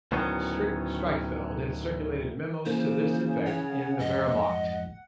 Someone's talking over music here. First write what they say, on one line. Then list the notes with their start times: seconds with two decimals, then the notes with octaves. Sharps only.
Strik-Strikfeldt had circulated memos to this effect in the Wehrmacht.
0.12 D2 A2 D#3 F#3 B3 C#4
2.66 C#3 E3 A#3 C5
3.46 C#5 F#5
3.99 F2 G#2 D#5